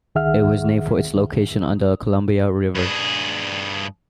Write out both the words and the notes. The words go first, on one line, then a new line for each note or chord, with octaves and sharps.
It was named for its location on the Columbia River.
C#2 D#3 G#4 E5 F#5 F6
G2 G#4